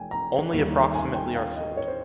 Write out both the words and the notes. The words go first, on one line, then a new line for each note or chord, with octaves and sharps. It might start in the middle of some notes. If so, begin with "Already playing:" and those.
Only approximately are sold.
Already playing: F1 G5 G#5
A#5
D#2 D#3 G3
G#5
G5
F5
D#5
C#5
C5